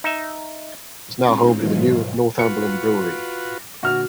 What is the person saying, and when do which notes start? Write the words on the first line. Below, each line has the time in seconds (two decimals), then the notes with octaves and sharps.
It is now home to the Northumberland Brewery.
0.04 D#4 E5
1.23 G#3 C4 C#4 D#4 F4
1.55 G#2 B2 D#3 E3 F#3 F4
2.39 F4 F#4 B4 C#7
3.83 A#2 D3 F#4 F6